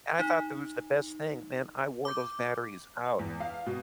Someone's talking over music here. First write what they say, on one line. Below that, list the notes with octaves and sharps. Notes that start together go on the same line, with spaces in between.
and I thought that was the best thing. Man, I wore those batteries out.
D#4
D6 G6
E2
F5
B2